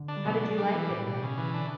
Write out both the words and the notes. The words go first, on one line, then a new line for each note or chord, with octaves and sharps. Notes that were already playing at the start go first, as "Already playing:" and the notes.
How did you like it there?
Already playing: D3
D4
G3
B2 F#3
D4
G3
E3
A2 G3
B2 G3
C#3
E3
D3 D4